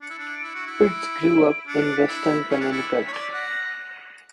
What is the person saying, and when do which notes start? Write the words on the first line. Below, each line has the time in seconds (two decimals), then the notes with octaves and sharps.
Pitts grew up in Weston, Connecticut.
0.01 D4 C#7
0.10 E4
0.18 D4
0.35 D7
0.43 E4 C#7
0.55 F#4
0.67 E4
0.84 D7
1.26 D7
1.67 D4 C#7
1.95 B6
2.09 E4
2.23 B6
2.50 C#4 C#7
2.61 D4
2.71 E4
2.92 B6
3.08 C#5
3.13 D5
3.34 F#5 A#6